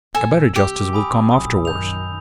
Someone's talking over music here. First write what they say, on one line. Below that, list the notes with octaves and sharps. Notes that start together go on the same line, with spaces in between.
A better justice will come afterwards.
A#1 A4 G#5 E6
C2 G4
G#5 B5 D#6
A#1 F#2 A2 D#6
F#2 D#3 G6 F7